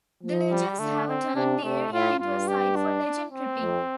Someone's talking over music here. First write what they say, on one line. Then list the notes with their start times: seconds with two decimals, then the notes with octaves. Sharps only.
The legends have turned the area into a site for legend tripping.
0.23 F3
0.51 G3
0.79 D3 A3
1.08 C4
1.35 C3 D4
1.63 C3 A3
1.91 A2 F4
2.19 G2 F4
2.48 G4
2.76 D4
3.32 C4
3.61 F2